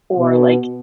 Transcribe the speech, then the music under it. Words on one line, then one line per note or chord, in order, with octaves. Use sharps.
or like
B2